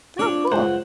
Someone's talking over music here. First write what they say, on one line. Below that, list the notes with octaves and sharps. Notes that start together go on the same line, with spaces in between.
Oh, cool.
A3 C4 D4 F4 C#5
C#2 F#2 C5 F#5